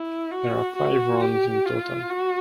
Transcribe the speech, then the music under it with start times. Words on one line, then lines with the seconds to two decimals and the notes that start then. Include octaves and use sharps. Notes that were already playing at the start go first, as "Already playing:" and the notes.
There are five rounds in total.
Already playing: E4
0.31 F#4
0.76 F#4
1.21 G4
1.65 F4
2.10 F#4